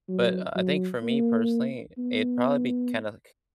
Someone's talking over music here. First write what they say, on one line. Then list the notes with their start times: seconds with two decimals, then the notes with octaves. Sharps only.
but, uh, I think for me personally, it'd probably be calock
0.08 F#3
0.55 F#3
1.02 A#3
1.98 B3